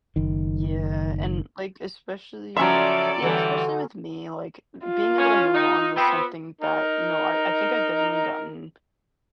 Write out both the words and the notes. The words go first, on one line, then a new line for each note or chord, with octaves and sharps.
Yeah, and, like, especially yeah, especially with me, like, b being able to move on with something that you know, I I think I've definitely gotten
F#1 D#3
C#3 F3 F#3 C#4 A4 D5 E5 C6
D3 E3 G3
F4
C#4
D#4
B3 C4
D#4 A#4